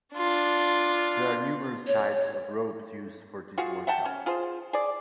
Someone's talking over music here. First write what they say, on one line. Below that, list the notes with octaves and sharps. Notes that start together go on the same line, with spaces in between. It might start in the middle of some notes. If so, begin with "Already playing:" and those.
There are numerous types of ropes used for this workout.
D4 F4
C#5
F4 F#4 G#4
E5 F#5 G5 A5
C#4
F4 G#4 C5
G#4 D5